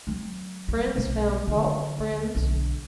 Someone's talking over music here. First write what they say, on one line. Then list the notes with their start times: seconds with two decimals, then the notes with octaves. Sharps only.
Friends found fault with friends.
0.07 F#3 C4
0.68 G3
0.96 B1 A#3
1.47 D3 D#3
1.98 D2
2.35 B1 D3